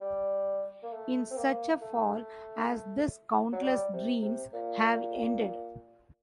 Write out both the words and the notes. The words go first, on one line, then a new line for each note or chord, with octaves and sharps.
In such a fall as this countless dreams have ended.
G3
A#3
A3
C4
A#3
A3
F#3
G3
C3
C3
A#2